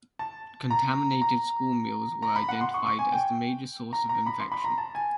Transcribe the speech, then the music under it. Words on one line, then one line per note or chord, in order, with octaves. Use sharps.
Contaminated school meals were identified as the major source of infection.
A5
A#5
A#5
A#5
B5
F#5
C6
C#6
C#6
G#5
G5
A#5
A#5
B5
C6
B5
A#5
A5
G#5